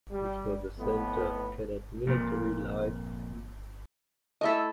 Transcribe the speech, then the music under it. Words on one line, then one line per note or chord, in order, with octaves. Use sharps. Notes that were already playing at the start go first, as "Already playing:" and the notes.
This was the center of cadet military life.
G3
F2 A2 B3
F2 A#2
A3 E4 A4 D#5 E5